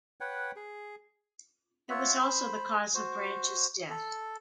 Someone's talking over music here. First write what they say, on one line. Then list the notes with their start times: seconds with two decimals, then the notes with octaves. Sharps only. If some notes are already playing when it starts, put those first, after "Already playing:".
It was also the cause of Branch's death.
0.21 B4 C#5 F#5 G5
0.56 G#4
1.89 F4 C#5 E5 F#5
2.21 C5 B5
2.95 F#4 C5
3.89 A4